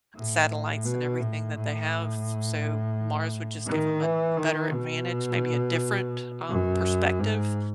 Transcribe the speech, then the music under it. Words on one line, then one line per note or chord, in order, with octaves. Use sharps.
satellites and everything that they have. So Mars would just give 'em a a better advantage, maybe a different, um, perspective
A2
B2
A2
A2
D#3
E3
D#3
B2
F#2
G#2